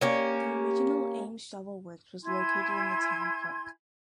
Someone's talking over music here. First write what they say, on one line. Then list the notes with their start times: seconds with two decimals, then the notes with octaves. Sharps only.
The original Ames Shovel Works was located in the Town Park.
0.01 A#3 C#4 G4
2.23 E4 G#5 C6 G#6